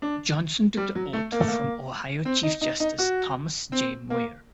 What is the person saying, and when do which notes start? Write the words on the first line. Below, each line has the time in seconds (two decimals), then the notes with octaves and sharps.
Johnson took the oath from Ohio Chief Justice Thomas J. Moyer.
0.02 D4
0.77 G3
0.95 F#3
1.13 A3
1.32 A#3
1.40 A3
1.48 A#3
2.25 C4
2.43 D#4
2.61 D#4
2.80 D#4
2.99 F#4
3.72 C4
4.10 A#3